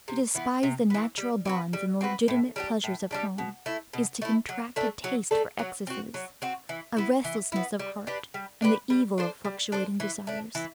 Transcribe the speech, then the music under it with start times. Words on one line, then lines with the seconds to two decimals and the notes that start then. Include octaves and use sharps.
To despise the natural bonds and legitimate pleasures of home, is to contract a taste for excesses, a restlessness of heart, and the evil of fluctuating desires.
0.08 C3
0.35 E3 B3
0.63 C3
0.90 E3 B3
1.17 G3
1.45 C4 F#4 B4
1.73 G3
2.01 C4 F#4 B4
2.28 A2
2.56 G3 D4 G4
2.84 A2
3.11 G3 D4 G4
3.38 B2
3.66 A3 E4
3.93 B2
4.22 A3 E4
4.49 F#3
4.76 A3 D4 A4
5.04 F#3
5.31 A3 D4 A4
5.59 F#3
5.87 C4 F#4
6.14 F#3
6.42 C4 F#4
6.69 E3
6.97 B3 E4
7.25 E3
7.52 B3 E4
7.79 G3
8.07 D4 G4 B4
8.34 G3
8.62 D4 G4 B4
8.90 G3
9.18 D4 A4 C5
9.45 G3
9.72 D4 A4 C5
10.00 E3
10.27 A3 D4
10.55 E3